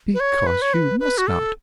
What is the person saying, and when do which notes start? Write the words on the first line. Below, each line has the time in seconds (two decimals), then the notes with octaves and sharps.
'Because you must not.
0.14 B4
0.20 C#5
0.47 B4
0.62 C#5
0.74 B4
1.00 B4
1.18 F#4
1.27 A4